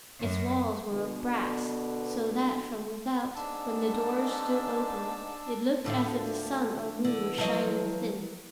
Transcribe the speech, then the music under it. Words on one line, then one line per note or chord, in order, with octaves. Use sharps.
Its walls were of brass, so that from without, when the doors stood open, it looked as if the sun or moon were shining within.
F#2
B2 D3
G#2 D4 A5 E6
D2 A2 D3 F3
D3 E3
F3 F#3 D#5